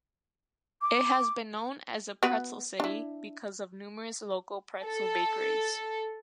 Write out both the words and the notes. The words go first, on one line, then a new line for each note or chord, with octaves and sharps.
It has been known as "The Pretzel City", because of numerous local pretzel bakeries.
D6
B3 F#4 B4
D4 E4
A4